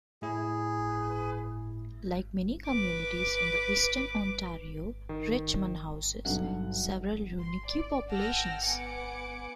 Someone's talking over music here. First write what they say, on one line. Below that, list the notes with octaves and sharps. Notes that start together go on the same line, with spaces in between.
Like many communities in eastern Ontario, Richmond houses several unique populations.
A2 E4 G#4
B4 D6
D#3
B1 G2 F#3 A4 F#5
C6
D5
F#5 G5 A5 E6 F6 A#6
B3 F#5 G#5 D6 C#7 D7